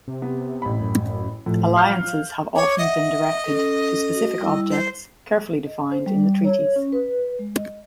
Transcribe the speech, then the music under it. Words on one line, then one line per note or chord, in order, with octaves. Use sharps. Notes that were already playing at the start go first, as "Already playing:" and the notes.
Alliances have often been directed to specific objects carefully defined in the treaties.
C3
B3
A1 B5
F#2
A2 F3
F5 F6 G6
C#5 D6
D#5 E5 F#5
C#4 A4
F#4
G3 E4 E6
C5
D#5
C5
G3
C#5
C#4
B4
G#3
D#5